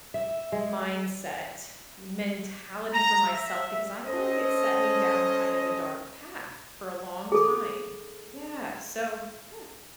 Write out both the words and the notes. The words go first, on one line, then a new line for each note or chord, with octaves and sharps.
mindset, y mentality for myself, because I feel like it set me down kind of a dark path for a long time. Yeah, so Yeah.
E5
G#3
A#5
E5
C#4 A4 C5 D#5
G#4 A4